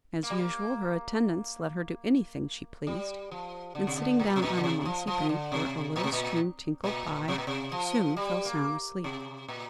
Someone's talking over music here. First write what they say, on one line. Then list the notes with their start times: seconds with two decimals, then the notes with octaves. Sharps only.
As usual, her attendants let her do anything she pleased, and sitting down on a mossy bank where a little stream tinkled by, soon fell sound asleep.
0.23 A#3
0.30 G3
0.39 A#3
2.87 G3
3.31 F3
3.75 D3
3.87 C3
3.97 D3
4.19 A#2
4.36 C3
4.42 A#2
4.57 D3
4.64 C3
4.85 F3
5.07 F3
5.29 D3
5.52 C3
5.96 A#2
6.03 C3
6.12 A#2
6.84 A#2
7.28 C3
7.38 A#2
7.47 C3
7.72 F3
8.16 G3
8.45 A#3
9.04 C3
9.48 A#2